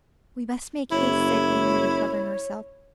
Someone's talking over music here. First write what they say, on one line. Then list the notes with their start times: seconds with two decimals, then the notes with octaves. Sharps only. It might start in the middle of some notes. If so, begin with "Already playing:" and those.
'We must make haste,' said Amy, recovering herself.
0.92 F#1 E4 C#5